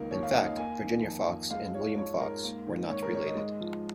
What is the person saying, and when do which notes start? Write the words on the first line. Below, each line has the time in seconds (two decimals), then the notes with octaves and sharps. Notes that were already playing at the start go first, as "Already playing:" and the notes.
In fact, Virginia Fox and William Fox were not related.
Already playing: C#2 D#3 A#3 A#4
0.11 D#2 C#5
0.23 F5
0.34 D#2 D#5
0.47 F5
0.57 A#3 G#5
0.81 D#3
1.04 F2
1.27 F2
1.51 G#3 F5
1.74 F3 C#5
1.97 G#2 C#5
2.20 G#2 A#4
2.44 A#3
2.67 D#3
2.90 G#2 C#5
3.02 A#4
3.13 G#2 C#5
3.26 D#5
3.37 G#3
3.60 F3